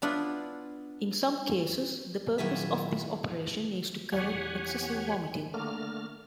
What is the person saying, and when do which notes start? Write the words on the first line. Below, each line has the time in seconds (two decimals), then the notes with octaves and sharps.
In some cases, the purpose of this operation is to correct excessive vomiting.
0.02 B3 D4 E4 F4
2.38 A#2 D#3 F#3 E4 G#4 E5
4.12 E2 G4 C#5 F#5 G#5
5.54 D3 A3 A#3 F6